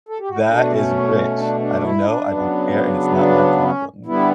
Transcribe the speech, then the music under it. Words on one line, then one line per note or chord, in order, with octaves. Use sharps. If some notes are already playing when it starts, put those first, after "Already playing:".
That is rich. I don't know. I don't care, and it's not my problem.
A4
G4
F#4
E4
B2 A3 D4
C#4
D4
D4
E4
D4
C#3 F#3 B3
D4
C#4
D3 G3 B3 E4